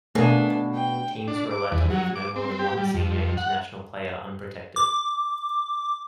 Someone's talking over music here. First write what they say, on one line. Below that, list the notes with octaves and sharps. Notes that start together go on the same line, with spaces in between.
Teams were allowed to leave no more than one Senior International player unprotected.
B2 A3 A#3 D4 G#4
G5
D4
D6
E2
F#3
D6
C4
G4
G3
F2
F#5
D6